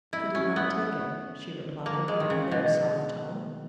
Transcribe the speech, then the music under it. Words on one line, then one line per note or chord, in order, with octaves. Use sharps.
"He did not take it," she replied, in a clear, soft tone.
E4
C#4
B3
A#3
G#3
D#3
C#3
B2